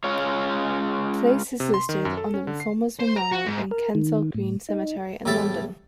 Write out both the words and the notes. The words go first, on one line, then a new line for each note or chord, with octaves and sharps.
Place is listed on the Reformers Memorial in Kensal Green Cemetery in London.
G#3 C#4 F4 C#5
C3
C6
D#3
F#2
A4
C#4
D3
C7
C5
A#5
F#4
G#2
A#4
D#3
A2
D#4
E2 A2 G3 A4 E5 A5